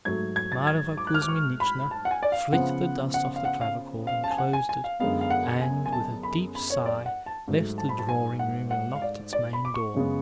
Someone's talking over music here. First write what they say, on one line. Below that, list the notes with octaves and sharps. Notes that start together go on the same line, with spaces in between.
Mavra Kuzminichna flicked the dust off the clavichord and closed it, and with a deep sigh left the drawing room and locked its main door.
G#2 F#3 A3 G#6
G#6
A6
G#6
D6
F#6
F6
D6
C#6
B5
A5
F#5
G#5
D5
F5
C#3 F3 B3 F#5
F#5
F5
F#5
F5
F5
A5
G#5
F#5
G#5
G#5
F5
F#2 D3 G#3 B3 F5
F5
F#5
G#5
G#5
A5
B5
B5
C#5
D5
F#5
A5
G#2 F#3 A3
A5
B5
A5
G#5
F#5
F#5
F5
D5
D5
B5
D6
C#6
F#2 C#3 G#3 B3